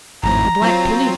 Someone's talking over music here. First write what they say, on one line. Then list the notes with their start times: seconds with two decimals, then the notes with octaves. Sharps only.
The Black Police.
0.23 G#1 F2 A2 A#5
0.62 F#3 C4 F4